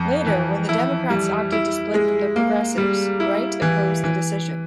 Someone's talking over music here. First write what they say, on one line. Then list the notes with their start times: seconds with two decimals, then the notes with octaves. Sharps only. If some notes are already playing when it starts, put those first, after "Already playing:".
Later, when the Democrats opted to split from the Progressives, Wright opposed the decision.
Already playing: F2
0.26 E3
0.69 E4
1.10 G3
1.52 E4
1.94 G#3
2.36 A#3
2.78 G3
3.20 E4
3.62 E3
4.04 E3